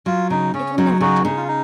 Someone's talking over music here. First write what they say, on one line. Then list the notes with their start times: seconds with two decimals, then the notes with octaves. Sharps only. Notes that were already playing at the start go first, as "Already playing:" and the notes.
It will never do.
0.06 F#3 F4
0.30 C#3 D#4
0.54 C#3 C#4
0.78 F#3 D#4
1.00 C#3 D#4 F#4
1.25 C#3 D#4
1.36 F4
1.48 D#4